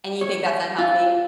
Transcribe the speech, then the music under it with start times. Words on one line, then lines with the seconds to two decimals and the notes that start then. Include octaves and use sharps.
And you think that's unhealthy?
0.21 C#5
0.78 F4